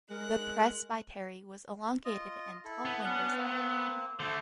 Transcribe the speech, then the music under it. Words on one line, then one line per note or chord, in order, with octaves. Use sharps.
The presbytery was elongated and tall windows added.
G#3 A#4 F#6
F4 D#5
E4 A4
B3
C#4 D4 F#5
A#3 C4
D3 A3 A4 C5